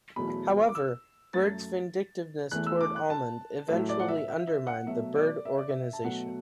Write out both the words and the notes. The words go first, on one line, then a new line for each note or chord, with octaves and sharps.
However, Byrd's vindictiveness toward Almond eventually undermined the Byrd Organization.
E2 B2 F#3 A3 B5
D6
E6
F#2 F#3 A3 A6
E2 E3 A3 F#6
E6
D6
F#6
A5
A2 F#3 A3 E5
D5
F#5
E5
E5
E5
F#5
B2 F#3 A3 E5
D5
E5
D5
E5
A5
B2 F#3 A3 F#5